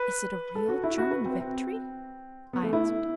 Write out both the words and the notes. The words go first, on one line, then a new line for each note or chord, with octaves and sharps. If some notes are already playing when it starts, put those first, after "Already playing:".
"Is it a real German victory?" I asked.
Already playing: B4
A4
F#4
E4
F#4
B4
C4
C4
B3
A3
E4